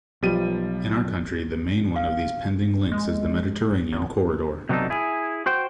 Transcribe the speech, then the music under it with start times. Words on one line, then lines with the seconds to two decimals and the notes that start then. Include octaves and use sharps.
In our country the main one of these pending links is the Mediterranean corridor.
0.23 B1 F3 G3 D#7
1.96 F5
2.92 G#3
3.93 G#1
4.69 C3 F#3 B3 D4 D#4 A4
4.90 E4 G#4
5.46 F#4 C5 G5